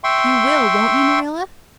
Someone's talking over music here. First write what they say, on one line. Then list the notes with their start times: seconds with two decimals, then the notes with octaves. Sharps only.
You will, won't you, Marilla?
0.04 E5 G5 C6 C#6